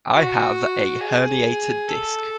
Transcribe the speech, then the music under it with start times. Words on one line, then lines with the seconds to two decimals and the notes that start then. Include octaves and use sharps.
I have a herniated disc.
0.14 F#4
1.00 G#4
1.88 A4